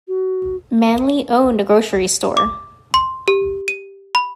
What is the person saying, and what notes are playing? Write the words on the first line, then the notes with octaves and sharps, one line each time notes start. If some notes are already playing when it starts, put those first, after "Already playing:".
Manly owned a grocery store.
F#4
D6
C6
G4
D#7
B5